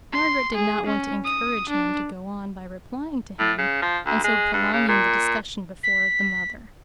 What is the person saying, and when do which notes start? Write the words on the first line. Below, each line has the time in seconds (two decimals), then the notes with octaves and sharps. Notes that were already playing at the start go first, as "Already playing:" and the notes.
Margaret did not want to encourage him to go on by replying to him, and so prolonging the discussion before the mother.
0.13 C6
0.55 G#4
0.87 C#4
1.25 D#6
1.70 D4
3.39 A2
3.58 C#3
3.82 F3
4.06 D2
4.24 G#3
4.53 G2
4.73 C#3
4.88 A#2
5.83 B6